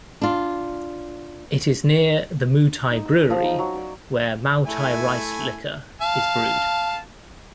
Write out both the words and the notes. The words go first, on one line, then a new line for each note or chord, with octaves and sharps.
It is near the Moutai brewery, where Maotai rice liquor is brewed.
D4 F4
D#4
E6
C#4
F3
D#4
F#3
D5
A3 E4 G#5
F5 A5